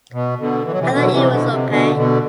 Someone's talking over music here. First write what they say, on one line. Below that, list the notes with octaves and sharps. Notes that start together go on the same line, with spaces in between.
I thought it was okay.
B2
B2 D3
E3
F#3
C3 E3
B2 D3
F#3
C3 E3
B2 D3
C3
B2 D3
B2 D3